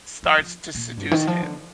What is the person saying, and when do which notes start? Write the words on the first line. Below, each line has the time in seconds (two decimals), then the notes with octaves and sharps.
starts to seduce him.
0.23 F3
0.38 F3
0.75 A#2
0.97 G2
1.11 D#3
1.27 F3
1.42 D3